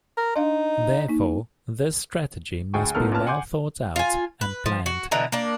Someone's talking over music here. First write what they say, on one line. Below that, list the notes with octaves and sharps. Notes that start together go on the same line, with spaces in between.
Therefore, this strategy must be well thought out and planned.
A#4
D4 D#4 D#5 F5
A#3 D#4
D2 G#4 G5 G#5 C#6
B1 G#2 B3 A4 A#4 F6
A#2 C#4 B4 A5 F6
F#5 G#5 C6 D6 G6
F4 G#5
B4
F3
F#4
B2 D3 E3 A#5
A#3 D4